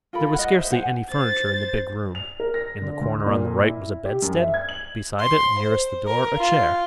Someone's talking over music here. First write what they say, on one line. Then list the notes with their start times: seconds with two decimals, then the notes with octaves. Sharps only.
There was scarcely any furniture in the big room: in the corner on the right was a bedstead, beside it, nearest the door, a chair.
0.13 F4 A4 A#4 B5
0.34 D#5 F#5
0.58 C5 E5
0.71 C5 F#5 G#5
1.10 C5 A6
1.53 C5
2.15 F7
2.40 A#4
2.54 A#6
2.82 D3
3.01 D2
3.26 A#2
3.64 E4
4.05 G4
4.22 F#2
4.39 E5
4.54 G#6
4.69 F#7
5.20 C6
5.60 C5
6.07 A#4
6.38 F4